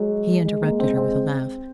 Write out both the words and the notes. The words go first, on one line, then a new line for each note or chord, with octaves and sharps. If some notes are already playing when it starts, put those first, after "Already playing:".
He interrupted her with a laugh.
Already playing: F#3 G#3
G#3
A#3
C4
C4